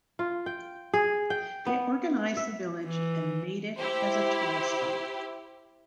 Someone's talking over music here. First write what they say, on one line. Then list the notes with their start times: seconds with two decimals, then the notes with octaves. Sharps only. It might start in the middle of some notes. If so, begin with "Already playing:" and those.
They organized the village and made it as a tourist spot.
0.19 F4
0.46 G5
0.94 G#4
1.30 G5
1.66 B3
2.37 E5
2.85 E3
3.77 E4 G4 C5